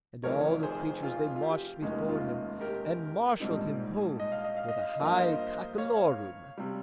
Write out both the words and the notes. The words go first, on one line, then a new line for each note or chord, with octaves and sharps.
And all the creatures they marched before him, And marshalled him home with a high cockolorum.
F1 F2 D#3 A#4 C#5
G#4 C5
F4 G#4
F4
G4
F1 D#2 D#3 G#3 C#4
F4
G4 A#4
A#1 G#2 G3 C4 D#4
D#5
F5
D#5
F5
D#5
F5
D#5
G2 F3 A#3
F5
C5 D#5
C#5 F5
C3 G3